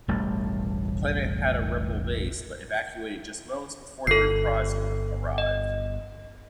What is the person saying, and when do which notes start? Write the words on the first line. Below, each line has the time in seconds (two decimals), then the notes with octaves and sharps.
The planet had a rebel base, but evacuated just moments before the "Reprisal" arrived.
0.08 E1 A1 G3 A3
4.07 G1 A4 C7
5.38 D#5